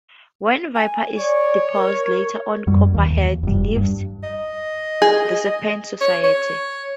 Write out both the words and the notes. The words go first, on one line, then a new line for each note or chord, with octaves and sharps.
When Viper is deposed later on Copperhead leaves the Serpent Society.
G#5
C#5 D5
A#4
F#2 G3
D#2 E3
F1 G2
G2
D#5
G#4
C#5
C#5